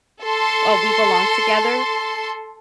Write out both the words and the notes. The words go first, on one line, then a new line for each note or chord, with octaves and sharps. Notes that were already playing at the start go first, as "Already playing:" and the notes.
uh, "We Belong Together"
A4 C6